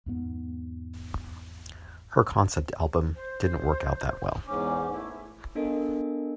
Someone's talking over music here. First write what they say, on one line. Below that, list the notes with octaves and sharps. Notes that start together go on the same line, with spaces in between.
Her concept album didn't work out that well.
E2 G#2 B3
C5
E2 G#2 C#4 D6
A3 E4
B3 D4 A4 A#4 D#5